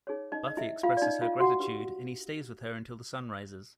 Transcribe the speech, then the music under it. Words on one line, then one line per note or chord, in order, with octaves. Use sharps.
Buffy expresses her gratitude, and he stays with her until the sun rises.
D#4 G#4 C#5
D#4 D#5
D#5
E4 E5
F4 F5
D5
D#4 D#5
F4 F5
F#4 F#5
D4 G4 B4